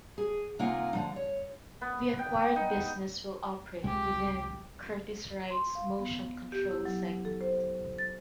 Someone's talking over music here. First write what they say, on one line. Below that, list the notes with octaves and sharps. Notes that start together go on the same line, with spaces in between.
The acquired business will operate within Curtiss-Wright's Motion Control segment.
G#4
C3 A#3 D#4 F4 F#5 G#5
D3 F3 D#4
C#5
B3
G5
D#4
C#2 C3 G#3 G4
C6
F5
B3
G4
E4
F#3
A4
C5
A6